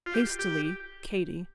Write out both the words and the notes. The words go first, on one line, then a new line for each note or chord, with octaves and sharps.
Hastily, KATY.
F4
G4
G4